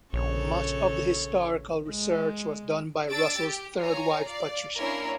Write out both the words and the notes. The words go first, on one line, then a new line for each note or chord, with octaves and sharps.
Much of the historical research was done by Russell's third wife Patricia.
A#1 C#3 A4 C#5
G#3
D4 E6 A6 D7
G4
F4 C#5 G#5 A#5
D5 F5
A#3 C#4 D4 E4 A#4 C#5